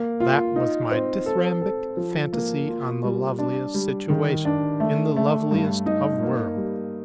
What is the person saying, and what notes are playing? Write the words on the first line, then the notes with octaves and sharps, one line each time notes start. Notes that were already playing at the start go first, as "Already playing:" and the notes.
That was my dithyrambic fantasy on the loveliest situation in the loveliest of worlds.
Already playing: A#3
F4
D#4
C4
A4
A4
F3
A#3
F4
G3
D4
G3
D#3
D4
A3
A3
G2
D#4
A#3
G3